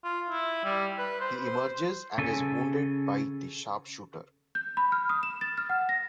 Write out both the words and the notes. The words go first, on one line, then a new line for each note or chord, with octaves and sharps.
He emerges and is wounded by the sharpshooter.
F4
E4
G3
B4
C5
C5
C#3 A4 G#5
G6
B5
F6
D#6
E7
A6
F6
F#5
A#6